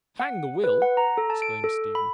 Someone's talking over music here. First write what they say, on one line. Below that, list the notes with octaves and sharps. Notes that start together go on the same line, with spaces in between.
"Hang the will!" exclaimed Stephen.
F#5
B4
F#5
A#5
A4
A5
D7
A4
B5